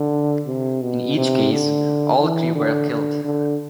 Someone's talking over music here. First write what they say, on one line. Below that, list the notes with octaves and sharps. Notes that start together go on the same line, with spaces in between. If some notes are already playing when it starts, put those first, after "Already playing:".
In each case, all crew were killed.
Already playing: D3
C3
B2
C3
D3
E3
D3
D3
D3